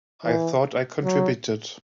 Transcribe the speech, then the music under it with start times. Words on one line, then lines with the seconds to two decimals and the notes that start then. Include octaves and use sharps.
I thought I contributed.
0.25 E3
1.04 F#3